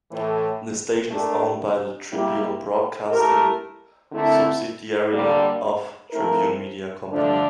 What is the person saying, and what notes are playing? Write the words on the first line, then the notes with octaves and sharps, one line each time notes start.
The station is owned by the Tribune Broadcasting subsidiary of Tribune Media Company.
A2 E3 A3
A3 D4 G4 A#4
G3 A#3 E4 G4
A3 E4 G4 A#4
D3 A3 C4 E4 A#4
D3 G3 A#3
F3 A3 C4 E4 A#4
D3 F3 A3 D4